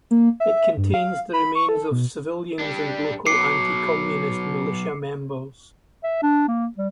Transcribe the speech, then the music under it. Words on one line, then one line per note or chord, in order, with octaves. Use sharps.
It contains the remains of civilians and local anti-communist militia members.
A#3
E5
G2
F5
B5
C#6
A4
B2
G3 D4
B2 F#3 D6 C7 C#7
E5
D4
A#3
G3